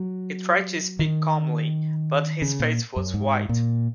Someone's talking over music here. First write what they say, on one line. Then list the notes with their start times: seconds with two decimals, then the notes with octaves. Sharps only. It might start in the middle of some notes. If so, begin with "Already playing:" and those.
He tried to speak calmly, but his face was white.
Already playing: F#3
0.99 D#3
2.42 C#3
2.60 A#2
2.96 F#2
3.14 G#2
3.49 A#2